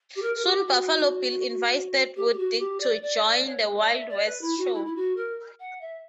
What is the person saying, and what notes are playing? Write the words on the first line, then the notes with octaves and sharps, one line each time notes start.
Soon Buffalo Bill invites Deadwood Dick to join the Wild West Show.
G4
A#4
A#4
G4
F#4
G4
G4
F#4
G4
D5
D5
D5
C#5
D5
E5
D5
B4
E4
F#4
E4
E4
F#4
A#4
F#5
E5